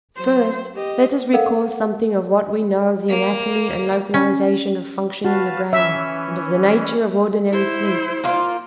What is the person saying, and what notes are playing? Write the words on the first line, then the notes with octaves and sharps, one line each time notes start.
First, let us recall something of what we know of the anatomy and localization of function in the brain, and of the nature of ordinary sleep.
F#3 C5
G4 D#5
A4 A#4 D#5 F5 F#5
A#3
C#4
F#4 B4 F5 A5
E3 C#4 E5
E4 C5
A#3 F4